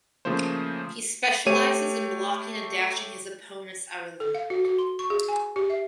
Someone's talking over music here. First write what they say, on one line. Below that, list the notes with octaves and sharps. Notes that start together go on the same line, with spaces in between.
He specializes in blocking and dashing his opponents out of the mat.
C#3 F3 A3 A#3 C5
A3 G4 C#5 D#7
A4
F5
F#4
F#4
C6
C#6
G#4
G#5
G4
E5